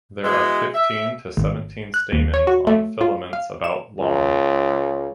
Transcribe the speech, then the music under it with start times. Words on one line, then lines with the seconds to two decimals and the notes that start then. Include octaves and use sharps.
There are fifteen to seventeen stamens on filaments about long.
0.24 B2 E3 G#3
0.74 E5
1.37 G#1
1.94 F#6
2.12 D#2
2.34 C#5
2.47 F#4
2.67 A3
3.01 F4
3.33 F5
3.64 E7
4.00 C#2